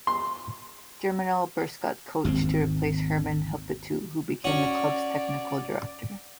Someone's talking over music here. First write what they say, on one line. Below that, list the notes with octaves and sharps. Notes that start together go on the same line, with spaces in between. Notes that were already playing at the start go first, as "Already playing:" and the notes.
Germinal Beerschot coach to replace Herman Helleputte who became the club's technical director.
C6
G#1 D#2 C3 C4
C#4 F#4 D5